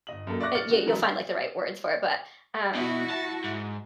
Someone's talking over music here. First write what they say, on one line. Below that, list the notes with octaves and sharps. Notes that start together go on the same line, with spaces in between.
eh yeah, you'll find, like, the right words for it, but, um,
G1 D#5 F#7
F#2 A#3 A4
D5 E5 C#6 D6 F#6 A#6
F6 A6 C#7 F#7
C#3 F#4
C#3 E3 F#3 G#3 A#4 B4
B2 E4 F#4
A5
G#2